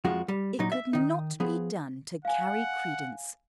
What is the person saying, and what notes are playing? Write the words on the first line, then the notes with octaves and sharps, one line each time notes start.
It could not be done to carry credence.
F2 F3 G#3 F#4
G3
A#2 F#3 D#4
E5
D#3 D#4
F3 B3 G#4
F5 F#5 G#5